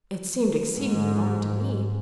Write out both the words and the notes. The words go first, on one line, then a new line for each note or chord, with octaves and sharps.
'It seemed exceedingly long to me.
G#2